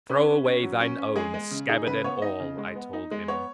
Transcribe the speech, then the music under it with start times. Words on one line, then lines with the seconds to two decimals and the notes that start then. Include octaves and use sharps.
"Throw away thine own, scabbard and all," I told him.
0.10 C#4 B4
0.27 C#4
0.45 C#4
0.63 F#3
0.80 C#4
0.98 C#4
1.16 G#3 G#4
1.34 G#3
1.51 C#3
1.69 D#4 G#4
1.87 C#3 B4
2.04 B3 C#5
2.22 D#4 D#5
2.40 C#3
2.58 G#3
2.75 B3
2.93 D#4
3.11 G#3
3.28 B3 C#5